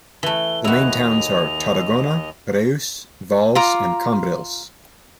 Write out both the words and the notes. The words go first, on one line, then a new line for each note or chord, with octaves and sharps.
The main towns are Tarragona, Reus, Valls and Cambrils.
E3 A3 G7
D#2 E4 F#4 D#5 F7
F4 A#5 D6